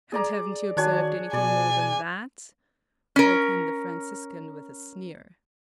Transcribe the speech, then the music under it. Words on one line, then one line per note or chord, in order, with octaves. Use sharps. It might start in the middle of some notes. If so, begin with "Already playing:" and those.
"And haven't you observed anything more than that?" broke in the Franciscan with a sneer.
G#4 D5 A#5
D#3 D4 F#4 C#5 G#5
B2 D5 G#5
C#4 A#4